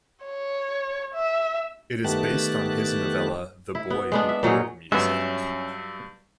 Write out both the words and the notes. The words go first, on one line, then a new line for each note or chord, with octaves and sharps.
It is based on his novella "The Boy Who Heard Music".
C#5
E5
D#3 A3 B3 G4 A5 F#6
E4
B3
G#3 B3 D4
E5
A#2 F#3 D#4 G#4
G2 F#3 G#3 B3 C#4 E5